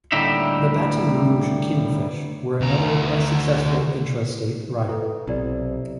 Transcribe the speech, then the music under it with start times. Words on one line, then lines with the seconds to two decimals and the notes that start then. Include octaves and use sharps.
The Baton Rouge Kingfish were another, less successful intrastate rival.
0.12 D2 A2 G3 A#3 D#4 E5
2.61 D2 A#5
4.88 E4 A4 B4
5.27 B1 C3 E4 D5